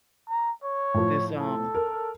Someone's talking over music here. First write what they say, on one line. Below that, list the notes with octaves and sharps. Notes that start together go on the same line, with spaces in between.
this, um
A#5
C#5
A2 F3
A4
A#4